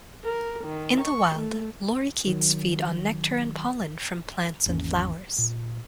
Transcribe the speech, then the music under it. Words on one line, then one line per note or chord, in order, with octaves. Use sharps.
In the wild, lorikeets feed on nectar and pollen from plants and flowers.
A#4
D#3
C#6
A3
D#3 F#3
G#1 E2 A#3 C#4
A#2